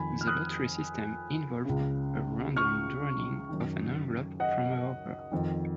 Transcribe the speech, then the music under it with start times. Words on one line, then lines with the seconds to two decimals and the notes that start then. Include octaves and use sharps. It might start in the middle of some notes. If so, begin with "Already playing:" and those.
The lottery system involved a random drawing of an envelope from a hopper.
Already playing: F2 D#3 G#5 B5
0.21 F6
0.27 D#6 F#6
1.65 C#2 C#3
2.57 C#6 F6
3.49 F#2 D#3
4.40 D#5 F#5
5.32 F2 D#3